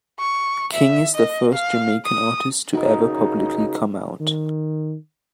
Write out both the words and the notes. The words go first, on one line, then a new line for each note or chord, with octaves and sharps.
King is the first Jamaican artist to ever publicly come out.
C#6
E5
D#5
F5
D#6
C#3 D#4 F#4 A#4
D#3